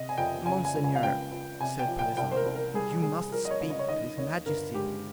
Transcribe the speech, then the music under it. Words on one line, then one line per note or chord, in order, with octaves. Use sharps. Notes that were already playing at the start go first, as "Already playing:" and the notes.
"Monseigneur," said Pelisson, "you must speak to his majesty."
Already playing: C3 D#5
G#5
F2 G5
C#3 G#5
G#5
C#2
G#5
F5
C#2 G5
C#2
C3 G#5
G5
F3
G5
C2 G5
C5
A#4
C2
A#4
G3 G#4
G3 G#4
F3 A#4
D#5
C#5
C#2
D#5
C#5
D#3 D#5
D#2 C#5
G1 A#4
G#3 G4